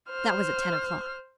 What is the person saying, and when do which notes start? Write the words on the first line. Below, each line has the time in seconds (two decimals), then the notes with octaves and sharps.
That was at ten o'clock.
0.10 C5 F6